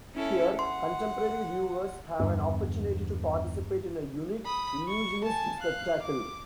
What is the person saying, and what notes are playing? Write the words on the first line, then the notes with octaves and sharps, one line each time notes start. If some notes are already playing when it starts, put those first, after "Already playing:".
Here, contemporary viewers have an opportunity to participate in a unique illusionist spectacle.
C#4 E4 A4
F#5 C6
E2 G2 D3 B3
B5 D#6
C#6
G#5 A5
F5 F#6
D6